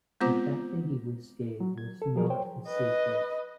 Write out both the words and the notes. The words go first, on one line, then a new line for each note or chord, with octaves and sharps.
The fact that he was gay was not a secret.
G#3 B3 C4 F4 C5 D6
F#3
G#6
A4
F3 F#3 G#4 A#4
C5 C#5 G5
B4 D#5